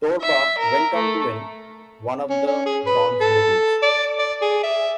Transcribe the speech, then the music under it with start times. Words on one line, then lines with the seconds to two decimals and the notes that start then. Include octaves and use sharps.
Torba went on to win one of the bronze medals.
0.22 E5
0.58 A#4
0.94 A3
2.30 C#4
2.47 C#4
2.66 G#4
2.86 B4
3.20 A4
3.82 D5
4.19 D5
4.42 G#4
4.63 E5